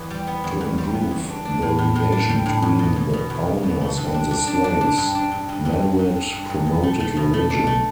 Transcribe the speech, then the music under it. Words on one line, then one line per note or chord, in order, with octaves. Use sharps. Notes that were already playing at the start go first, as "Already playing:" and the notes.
To improve the relation between the owners and the slaves, Malouet "promoted" religion.
Already playing: E2 B3
G3
B3
E2
E2
G3
B3
E2
D4
D4
A2
A2
A2
D4
G3
A2
E2
B2
E2
B2
E2
E2
B2
A3
G2
D4
D4
D4
D4
D4
G2
D4
G2
G2
G2
G2
G2
G2
G2
G2
B2
A3
A3
B2
A3
D4
A3